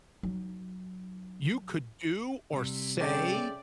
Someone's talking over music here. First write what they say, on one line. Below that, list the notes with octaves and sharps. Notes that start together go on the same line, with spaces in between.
You could do or say
F#3 D#4
C3 G3
C#4 G#4 A4 D5 E5 G5